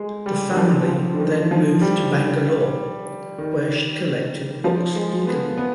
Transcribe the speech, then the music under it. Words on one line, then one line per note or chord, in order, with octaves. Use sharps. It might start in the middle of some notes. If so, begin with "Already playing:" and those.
The family then moved to Bangalore where she collected books eagerly.
Already playing: G#3
G3
D#3
F3
F3
D3
D#3
F3
G3
D#3
F3
G#3
B3
B3